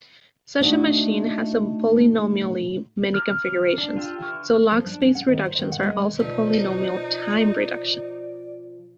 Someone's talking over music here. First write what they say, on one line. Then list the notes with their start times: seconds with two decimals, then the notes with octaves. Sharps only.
Such a machine has polynomially-many configurations, so log-space reductions are also polynomial-time reductions.
0.60 A2 A3 D4 D#4 F#4
3.14 A#5 D6 F6
3.78 D4
3.97 F4 G4 A4
4.22 D3 E3 C#6 F6
4.72 F3
4.87 D4
5.01 C#4
5.15 F#5
5.28 D#3
5.46 C5
5.59 D#3
5.72 F#5
5.83 G#3
6.20 B2 F3 D#4 B4 D5